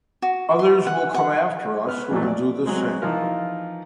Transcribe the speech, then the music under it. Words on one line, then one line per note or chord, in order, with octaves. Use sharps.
Others will come after us who will do the same.
F#4
C6
F#5
F#5
B3 F6
F2 A#2 E3 F#3 A3
D5
F#3 G#3 C4
E3 F3 D#4 F4 A#4